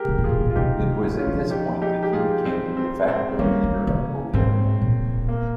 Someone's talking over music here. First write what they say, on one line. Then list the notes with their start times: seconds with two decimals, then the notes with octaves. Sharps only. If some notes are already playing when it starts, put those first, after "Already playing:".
It was at this point that he became the "de facto" leader of Bulgaria.
Already playing: G4 G#4 A#4
0.08 C3
0.18 A#2
0.24 G#2 F4 G#4
0.40 A#2
0.50 F4
0.55 C3 D#4 G4
0.80 C3
1.03 D#3
1.19 C#4 F4
1.27 F3
1.50 D#4 G4
1.82 D#4 G4
2.03 G4
2.13 F4 G#4
2.45 C4
2.77 C4
3.08 C4
3.39 G3 A#3 C#4
3.63 D#3
3.87 C#3
4.34 G#2 C4
4.81 A#2
5.29 A#3